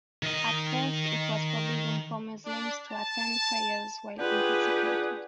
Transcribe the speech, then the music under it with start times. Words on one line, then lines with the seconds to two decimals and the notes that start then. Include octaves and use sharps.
At first, it was forbidden for Muslims to attend prayers while intoxicated.
0.23 D#3 D#5
2.46 D4
2.91 A5
4.20 D4 F4 G4 G#4 B4 F#5